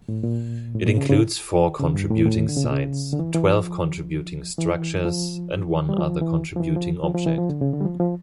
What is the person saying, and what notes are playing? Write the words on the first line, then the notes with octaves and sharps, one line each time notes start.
It includes four contributing sites, twelve contributing structures, and one other contributing object.
A2
A#2
A2
A#2
C#3
C#3
C#3
G2
A2
A2
D3
C#3
A#2
C#3
D3
E3
E3
F3
E3
F3
G3
F3
E3
F3
E3
F3
F3
F3
E3
F3
D3
C#3
D3
G3
F3
F3